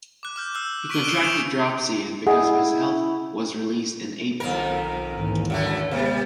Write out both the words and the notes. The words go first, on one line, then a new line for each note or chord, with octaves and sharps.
He contracted dropsy and, because of his health, was released in April.
D6 F#6
D6 F6 G6
E6 F#6
C#6 B6 D7 D#7 F#7 G7
D#6 F#6 D7 E7
C#6 G6 D7 E7 F7
E4 G#4 D#5 F#5
B1 F2 D#3 A#4
D#2 G#2 E3
F#2 D3 A3
C3 G3 G#3 B3